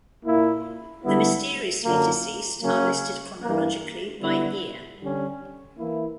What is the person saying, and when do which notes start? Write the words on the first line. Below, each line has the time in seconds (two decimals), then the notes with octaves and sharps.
The mysteriously-deceased are listed chronologically by year.
0.24 A#2 A#3 E4
1.03 D3 G3 B3 E4
1.82 F#2 D3 A#3
2.61 C#3 F#3 A#3 C#4
3.40 G2 E3 A#3
4.19 D3 G3 B3 E4
4.98 D3 G3 C#4
5.77 E3 A#3 E4